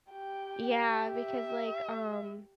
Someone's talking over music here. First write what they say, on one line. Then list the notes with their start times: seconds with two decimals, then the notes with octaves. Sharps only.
Yeah, because, like, um,
0.12 G4 G5
1.12 E5